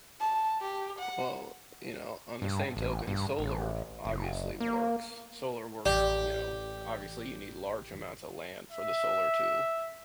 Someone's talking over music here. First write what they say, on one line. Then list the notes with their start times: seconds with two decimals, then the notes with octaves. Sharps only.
Well, you know, on the same token, solar obviously works. Solar works, you know, obviously you need large amounts of land for the solar to
0.20 A5
0.61 G4
0.99 F#5
2.42 G2
2.77 A1
3.07 G2
3.39 A1
4.05 F#1
4.60 A#3
5.86 A1 G4 D5
8.71 E5